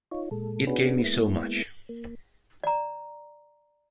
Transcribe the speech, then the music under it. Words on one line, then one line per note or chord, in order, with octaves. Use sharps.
It gave me so much.
D#4 F4 C#5
A#2 G#3 A4
B3 C#4 D4 F#4 G#4 B4
G#3 A#3 B3 E4
A#3
D5 A#5